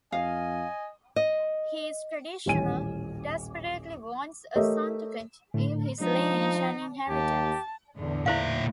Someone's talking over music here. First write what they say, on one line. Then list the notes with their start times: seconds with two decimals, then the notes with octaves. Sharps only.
He is traditional, desperately wants a son to continue his lineage and inheritance.
0.12 F2 D#5 F5 G#5
1.16 D#5
2.46 D#1 A1 C#4 G#5 D#7
4.56 A3 G4 A#4 C#5 D#5 E5
5.54 A2 D3 A3
6.01 F3 G#3 D4 D#4
7.09 D#2 G4 A5
7.95 E2 A2 D3
8.26 A#2 E4 C5 E5 F5